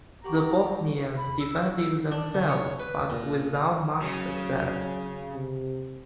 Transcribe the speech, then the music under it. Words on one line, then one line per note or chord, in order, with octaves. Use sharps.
The Bosnians defended themselves but without much success.
G4 A#4 F#5 A#5 C#6
B5
E6
D4
D3
C#5
B4
A#2
C#3 F#3 C#4
C3